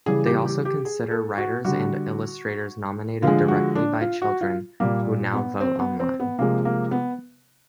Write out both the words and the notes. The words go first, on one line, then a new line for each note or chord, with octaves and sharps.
They also consider writers and illustrators nominated directly by children, who now vote online.
C#3 E3 G3 G#4
G4
G4
G4
G#4
A4
F#4
D3 G3 F#4
D3 F3 G#3 F4
F#4
D4
F4
F#4
F4
A#2 G3 A#3
B3
C4
B3
C4
B3
C3 F3 G#3 A#3
A#3
B3